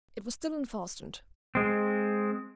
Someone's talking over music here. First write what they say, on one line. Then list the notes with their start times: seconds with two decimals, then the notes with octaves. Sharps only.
It was still unfastened.
1.55 G#3 C4